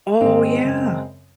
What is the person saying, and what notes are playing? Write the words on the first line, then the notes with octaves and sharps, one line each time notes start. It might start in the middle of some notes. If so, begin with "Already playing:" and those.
Oh yeah.
G#2 D#3 G#3 C4
F#2 C#3